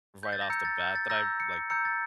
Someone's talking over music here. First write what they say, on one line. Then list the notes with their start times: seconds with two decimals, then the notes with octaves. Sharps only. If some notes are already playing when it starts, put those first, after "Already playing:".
right off the bat that I've, like,
0.23 G6
0.33 A6
0.41 A#6
0.50 A#5 E6 G6 C#7
0.65 A6
0.80 G6
0.95 A6
1.10 A#5 E6 G6 A#6
1.40 C#7
1.70 A#5 E6 G6 C#7
1.85 A6